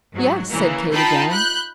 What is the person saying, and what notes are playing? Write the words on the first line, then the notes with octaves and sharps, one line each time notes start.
"Yes," said Kate again.
G#2 F#3
C#3 E3 A#3
D#4 F4 G5 A5 B5
B5 F#6 G6